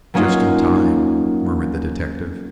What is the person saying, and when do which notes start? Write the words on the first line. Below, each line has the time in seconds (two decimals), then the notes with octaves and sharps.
"Just in time," murmured the detective.
0.14 F#3 A#3 C#4 D#4 F4